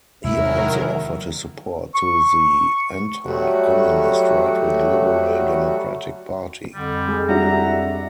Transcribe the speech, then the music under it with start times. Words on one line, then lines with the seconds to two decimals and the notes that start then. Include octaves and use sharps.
He also offered his support to the anti-communist right-wing Liberal Democratic Party.
0.24 E2 C3 D#3 F#3 G#3 E4 A#4
1.95 C#6
3.24 F#3 G3 A3 F#4
6.74 F2 D3 G3
7.07 G#3 G#4
7.29 G3 D4 E4 F#4 E5 F#5 A#5